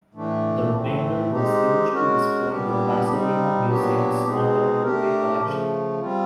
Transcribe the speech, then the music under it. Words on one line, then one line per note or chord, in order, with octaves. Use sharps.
The remainder was used to display the Pasadena museum's contemporary collection.
A2 E3 A3 D4
A2 E3 A3 C4
G#3 C4 D#4 G4
G#3 C#4 F#4 A#4
A#2 G3 B3 D4 G4
G3 C4 D#4
A#2 F#3 B3 D4 G4
B2 G#3 C4 D#4 G#4
A3 D4 G4 A#4
C#3 F3 A3
G3 C4 F4